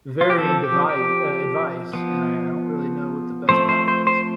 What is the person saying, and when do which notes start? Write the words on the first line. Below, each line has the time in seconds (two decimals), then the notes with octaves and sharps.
varying devi uh, advice." And I I don't really know what the best path is.
0.21 F4
0.30 G4
0.38 F3 C4 A4
0.64 G4
0.89 G4
1.93 F3 B3
3.49 F3 A3 C4 C5
3.69 C5
3.88 C5
4.07 C5